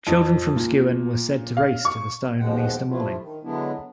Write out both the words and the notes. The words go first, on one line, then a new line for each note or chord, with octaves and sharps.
Children from Skewen were said to race to the stone on Easter morning.
F2
A#2
F5
C#6
D#2 B2 F3 G#3 F#5 G5
F3 G3 A3 D4 E4 F4
D#3
D3 F#3 G#3 B3 D4 E4